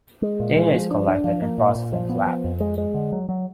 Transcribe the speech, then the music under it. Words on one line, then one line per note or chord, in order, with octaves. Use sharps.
Data is collected and processed in the lab.
G#3
A#2
G#3
F3
D4
D4
F3
A#3
A#2
A#2
F3
B3
F3
F2
G#3
G#3
D3
F#3
F#3